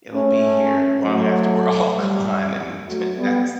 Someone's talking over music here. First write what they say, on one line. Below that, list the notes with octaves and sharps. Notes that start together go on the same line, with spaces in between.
It'll be here long after we're all gone, and t that's
A3 C#4
F#3 A3
G3
F#3 A3
G3 B3